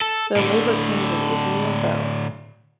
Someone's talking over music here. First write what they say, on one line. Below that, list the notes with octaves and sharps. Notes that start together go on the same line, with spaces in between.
The Labor candidate was Neil Bell.
A4
A2 D3